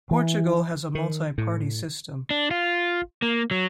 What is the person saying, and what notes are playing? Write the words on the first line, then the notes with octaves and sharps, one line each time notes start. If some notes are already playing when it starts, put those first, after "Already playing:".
Portugal has a multi-party system.
E3
D#3
A2
D4
F4
A#3
F#3